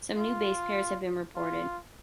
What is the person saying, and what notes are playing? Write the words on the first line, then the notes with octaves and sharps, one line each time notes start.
Some new base pairs have been reported.
F4
F4